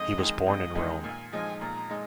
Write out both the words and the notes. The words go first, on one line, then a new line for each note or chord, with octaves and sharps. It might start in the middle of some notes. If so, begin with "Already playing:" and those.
He was born in Rome.
Already playing: F2 G#3 D#4 D#5
D#3 G#3 D#4
F2 D#5
D#3 G#3 D#4
A#2 G#5
F3 G#3 D#4 G#5
A#2 A#5
G#3 D#4